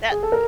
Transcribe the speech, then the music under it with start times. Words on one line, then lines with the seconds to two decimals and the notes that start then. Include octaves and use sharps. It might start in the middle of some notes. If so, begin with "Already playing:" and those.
That, uh,
0.12 G#4
0.23 A4
0.32 A#4